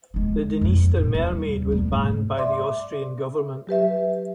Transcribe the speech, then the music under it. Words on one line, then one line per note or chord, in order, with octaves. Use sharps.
The "Dniester Mermaid" was banned by the Austrian government.
D2 G#3
F2 E4
A2
D#2 G3
G3 A3
G#2
D5 E5 C6 D6
F#3 G4 B4 E5